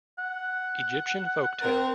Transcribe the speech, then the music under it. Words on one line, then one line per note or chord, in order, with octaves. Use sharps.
Egyptian folk tale.
F#5
C4 A#4